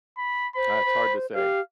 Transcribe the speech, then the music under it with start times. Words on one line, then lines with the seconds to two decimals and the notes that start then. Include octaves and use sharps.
ah, it's hard to say
0.17 B5
0.56 C5 B5
0.85 C5
1.35 G4 F5